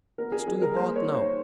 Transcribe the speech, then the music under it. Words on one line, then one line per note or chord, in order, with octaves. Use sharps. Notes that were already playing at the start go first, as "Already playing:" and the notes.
It's too hot now.
B3 A#4
G#4
G3 G#4
A#4
A#3 C5
C#5
D#4
C5